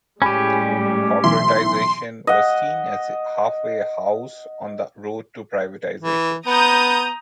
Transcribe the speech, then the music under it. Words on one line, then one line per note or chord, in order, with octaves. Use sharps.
Corporatization was seen as a half-way house on the road to privatization.
A2 G3 G#3 C#4 G4 G#5 B5
B1 E3 E5 C6
D#5 F#5
E3
B3 A#5 D#6 G6